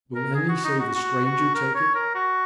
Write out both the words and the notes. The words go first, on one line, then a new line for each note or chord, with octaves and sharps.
Will any save a stranger take it?
A#4
G#4
F#4
D#4
F#4
F#4
F#4
A#4
C#5
A#4
F#4